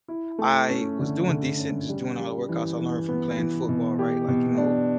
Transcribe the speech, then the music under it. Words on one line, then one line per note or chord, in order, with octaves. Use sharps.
I was doing decent, just doing all the workouts I learned from playing football, right? Like, you know,
E4
A3
C#4
D3
D3
C#4
G3
G3
E3
E3
B3
E3
B2
G4
B2
D4